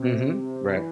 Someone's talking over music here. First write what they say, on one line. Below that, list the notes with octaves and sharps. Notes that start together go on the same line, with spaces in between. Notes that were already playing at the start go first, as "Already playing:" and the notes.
Mhm, right.
Already playing: C3
E3